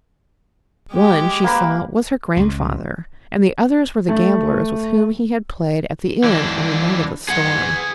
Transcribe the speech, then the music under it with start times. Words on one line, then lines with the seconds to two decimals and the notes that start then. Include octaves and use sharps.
One, she saw, was her grandfather, and the others were the gamblers with whom he had played at the inn on the night of the storm.
0.92 G#3 G4
1.44 A#3 B4
2.37 C#2
4.09 A3
6.24 E3 D4
7.29 G#4 F#5